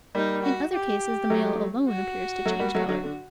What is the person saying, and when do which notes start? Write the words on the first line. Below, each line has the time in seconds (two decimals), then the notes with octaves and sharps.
In other cases the male alone appears to change colour.
0.15 G3 A#3 D#4
0.43 F#4
0.73 G4
1.30 F#3 A3
1.88 F#4
2.46 F#3 A3
2.60 G3 A#3
2.75 F#3 A3
2.89 D3 F#3
3.04 D3